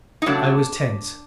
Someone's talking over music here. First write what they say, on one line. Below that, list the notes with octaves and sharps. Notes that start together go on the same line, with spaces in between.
I was tense.
D#4
C#3 F#3 A3 D4